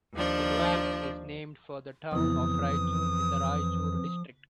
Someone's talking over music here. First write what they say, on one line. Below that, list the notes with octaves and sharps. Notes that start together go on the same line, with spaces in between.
The doab is named for the town of Raichur in the Raichur District.
D#2 F3 D4
F2 C#3 E3 F3 B3 E4 D#6